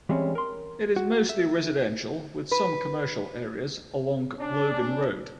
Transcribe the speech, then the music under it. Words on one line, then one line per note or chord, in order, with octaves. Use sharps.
It is mostly residential, with some commercial areas along Logan Road.
E3 G3 G#3 C4 C#4
A#4 C6
F#4
E5
B4
C#4 D4